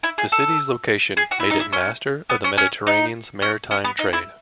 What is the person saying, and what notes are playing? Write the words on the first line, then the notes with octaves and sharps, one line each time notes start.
The city's location made it master of the Mediterranean's maritime trade.
E4
G#4
A4
G#4
F#4
E4
D#4
E4
C#4
B3
C#4
C#4
D#4
C#4
C#4
B3
D#4
E4